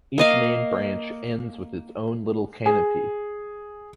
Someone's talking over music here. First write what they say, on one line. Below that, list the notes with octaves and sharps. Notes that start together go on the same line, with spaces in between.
Each main branch ends with its own little canopy.
A#3 D#5 F5
G#4